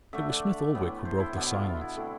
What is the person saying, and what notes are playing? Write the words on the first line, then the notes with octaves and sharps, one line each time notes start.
It was Smith-Oldwick who broke the silence.
D3 A3 D4 E5
D5
A2 E3 B3
C5
E4
B2 B3 D4
F4
E4
E4
D3 A3 C4 E4